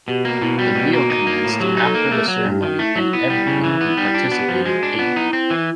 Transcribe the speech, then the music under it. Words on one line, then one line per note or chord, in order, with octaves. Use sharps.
The meal commenced after the ceremony and everyone who participated ate.
B2 G4
A#3 F#4
B2 E4
G3 F#4
B2
A#3
D#4
A#3
A2
F#3 G4
D#4
A4
A#3
A3 G#4
F#3
G#4
G2 G4
D#3 F#4
A3 E4
F#3 E4
B3 E4
G3
C#3
E3
B3
G3 D#4
E4
D4 F4
B3 F#4
G4
F3 F#4
G#3 F#4
D4
F#4
B3 F4
D#4 E4
C4
E3